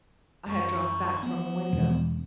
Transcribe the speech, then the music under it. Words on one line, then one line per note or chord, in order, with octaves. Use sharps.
I had dropped back from the window.
A1 F#2 C#6
F3 B3
E1